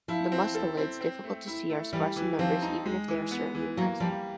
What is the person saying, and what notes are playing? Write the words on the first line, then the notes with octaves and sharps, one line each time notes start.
The mustelids, difficult to see are sparse in numbers even if they are certainly present.
F3 E4
C4
A4
C4
C4
A3
E4
A3
E3 G3
E3
F3 C4
D#4
G#3
E3
B3
E3
F#3 A#3
F3 G3